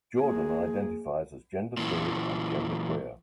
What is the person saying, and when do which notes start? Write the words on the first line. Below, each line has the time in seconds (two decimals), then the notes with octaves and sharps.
Jordan identifies as genderfluid and genderqueer.
0.20 A#3 G#4
1.77 A#2 E3